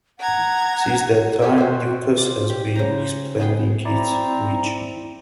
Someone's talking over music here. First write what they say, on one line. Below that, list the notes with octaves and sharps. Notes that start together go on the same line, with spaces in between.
Since that time, Ducasse has been expanding his reach.
F#5 A#5 G#6
G4 A4 C#5 G#5
F#4 A4 C5 G#5
F4 D5
G4
C#3 C5 A#5
B3 G#4 G5
C4 E4 D5 A#5